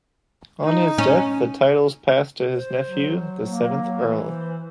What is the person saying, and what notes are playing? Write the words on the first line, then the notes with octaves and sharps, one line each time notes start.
On his death the titles passed to his nephew, the seventh Earl.
D#4
C#4
C5
F#3
A#3
E3
C5